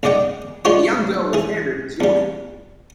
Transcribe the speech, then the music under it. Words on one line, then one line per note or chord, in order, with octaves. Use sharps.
A young girl with hair ribbons yawning.
B1 F#2 G#3 D5 F#5 G5
F3 G#3 D4 F4 F#4 C#5
E3 G#4
E2 G3